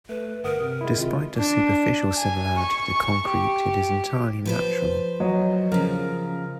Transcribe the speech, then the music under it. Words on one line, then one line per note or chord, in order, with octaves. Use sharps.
Despite a superficial similarity to concrete it is entirely natural.
A3 B4
G1 A#4 F#5 D#6
C3
G#3 E4
C3 D#3 G#3 F4
D4
G#5
C#6
G4
F3 B4 C5
F#3 D#5
C#3 F3 A#4